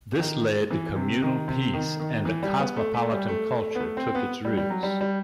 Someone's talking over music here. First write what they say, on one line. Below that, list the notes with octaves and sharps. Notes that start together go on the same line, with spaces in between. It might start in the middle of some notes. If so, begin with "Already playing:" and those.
This led to communal peace and a cosmopolitan culture took its roots.
D#3
E3
C3
D#3
C3
D#3
D#3
E3
G3
B3
A3
A3
G3
A3
B3
A3
C4
B3
G3
G3
F#3
G3
G3